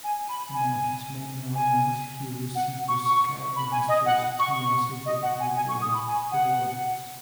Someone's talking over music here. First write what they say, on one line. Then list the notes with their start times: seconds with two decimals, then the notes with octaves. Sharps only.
Among his many honors, he received the Scoutmaster's Key and Silver Beaver awards.
0.04 G#5
0.29 B5
0.54 G#5
1.55 G#5
2.55 F#5
2.88 C#6
3.05 C#6
3.56 B5
3.72 G#5
3.88 D#5
4.06 F#5
4.23 F#5
4.39 C#6
5.06 D#5
5.23 F#5
5.40 G#5
5.56 G#5
5.69 C#6
5.82 D#6
5.94 B5
6.07 G#5
6.32 F#5